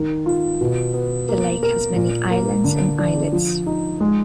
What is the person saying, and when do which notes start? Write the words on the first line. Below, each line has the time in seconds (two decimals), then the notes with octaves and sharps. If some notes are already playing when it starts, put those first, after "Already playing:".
The lake has many islands and islets.
Already playing: D#3
0.26 F4
0.61 B2
0.94 B3
1.29 A#3
1.63 A#4
1.96 A#2
2.31 A#3
2.64 D3
2.99 D4
3.32 F3
3.67 D#4
4.00 G#3